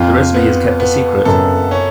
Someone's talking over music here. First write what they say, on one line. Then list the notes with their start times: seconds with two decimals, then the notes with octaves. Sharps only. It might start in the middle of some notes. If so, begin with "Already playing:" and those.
The recipe is kept a secret.
Already playing: F2 F4
0.34 B3
0.80 B3
1.25 F#2 A4
1.71 C#4